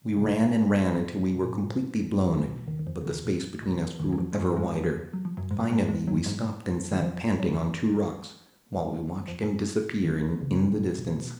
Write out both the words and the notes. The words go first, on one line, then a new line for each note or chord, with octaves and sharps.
We ran and ran until we were completely blown, but the space between us grew ever wider. Finally we stopped and sat panting on two rocks, while we watched him disappearing in the distance.
C#3
B1 B2
G#2
B2
A#2
G#2
A#2
B1 B2
D#2 D#3
D#3
F2 F3
C#3
D#2 D#3
A#2
B1 B2
D#2 D#3
F#3
F2 F3
G#3
F#2 F#3
G#2 G#3
F2 F3
F#3
F3
F#2 F#3
G#2 G#3
G#2 G#3
G#2 G#3
F#2 F#3
G#2 G#3
D#3
F2 F3
F#2 F#3
F2 F3
D#2 D#3
C#2 C#3
A#2
B1 B2
B2